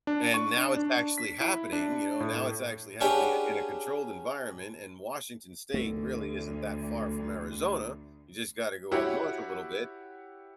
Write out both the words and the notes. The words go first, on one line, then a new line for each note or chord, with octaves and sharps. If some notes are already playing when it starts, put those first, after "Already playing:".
and now it's actually happening, you know? Now it's actually happening in a controlled environment. And Washington State really isn't that far from Arizona, you just gotta go up north a little bit,
D4
C#6
D4
D4
B6
E4
D4
A2
C#4 D4 G4 G#4 B4 F#5
D2 A3
E4 F#4 G4 C#5 F#5